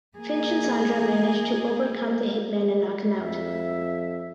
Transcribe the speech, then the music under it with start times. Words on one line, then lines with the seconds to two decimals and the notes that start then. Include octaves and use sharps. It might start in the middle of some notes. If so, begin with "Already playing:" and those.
Finch and Sandra manage to overcome the hitman and knock him out.
0.17 A#3 G#4
3.19 F2 E5